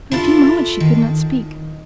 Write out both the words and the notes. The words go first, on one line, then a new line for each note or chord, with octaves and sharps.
For a few moments she could not speak.
D4 E4 F4 A4
D#3